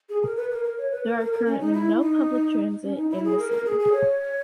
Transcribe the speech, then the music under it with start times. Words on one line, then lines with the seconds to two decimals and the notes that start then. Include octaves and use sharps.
There are currently no public transit in the city.
0.09 G#4
0.23 A#4
0.36 B4
0.51 A#4
0.64 A#4
0.78 C#5
0.91 B4
1.06 A#4
1.19 A#4
1.33 A#4
1.46 C#4
1.60 D#4
1.73 E4
2.00 D#4
2.83 C#4
2.97 D#4
3.10 E4
3.25 G#4
3.38 A#4
3.51 A#4
3.66 G#4
3.79 G#4
3.93 C#5